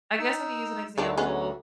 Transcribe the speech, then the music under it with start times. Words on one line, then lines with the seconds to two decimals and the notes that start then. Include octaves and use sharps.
I guess I could use an example.
0.19 D#4 E6
0.98 D2 D3 D#3 A3 D4
1.17 G#3 B3 C#4